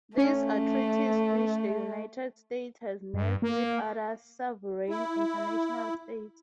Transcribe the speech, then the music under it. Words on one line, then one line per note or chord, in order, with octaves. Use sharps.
These are treaties which the United States has made with other sovereign international states.
A3 C#4
G2
A#3
E4